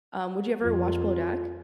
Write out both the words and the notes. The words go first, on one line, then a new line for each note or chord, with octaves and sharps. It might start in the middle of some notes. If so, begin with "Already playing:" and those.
rum, would you ever watch Below Deck?
F2 F4